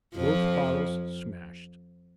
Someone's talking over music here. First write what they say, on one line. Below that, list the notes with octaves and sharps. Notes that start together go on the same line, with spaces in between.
Both bottles smashed.
F2 F3